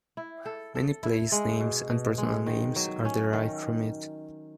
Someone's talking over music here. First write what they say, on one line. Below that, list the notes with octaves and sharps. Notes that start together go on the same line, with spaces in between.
Many place names and personal names are derived from it.
E4
A4
A4
E4
G#3
B2
B2
G#3
D#3
F#3
C#4
D#3